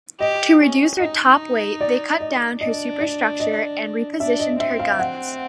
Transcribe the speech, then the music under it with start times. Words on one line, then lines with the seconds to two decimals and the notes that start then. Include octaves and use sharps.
To reduce her top weight, they cut down her superstructure and repositioned her guns.
0.20 G4 D#5
0.61 C#4
1.00 D#4 D#5
1.81 D5
2.20 D#5
2.61 D4 D#5
3.00 D5
3.40 D#5
4.20 D4 E5
4.40 D#5
4.60 C4 E5
4.79 F5
4.99 F#5